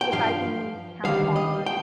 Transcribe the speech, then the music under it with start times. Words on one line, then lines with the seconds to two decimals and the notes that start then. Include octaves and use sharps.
if I can count on
0.01 G5
0.12 G2 F3 F5
1.05 D2 C3 D#3 G3 F5
1.36 D#5
1.66 G5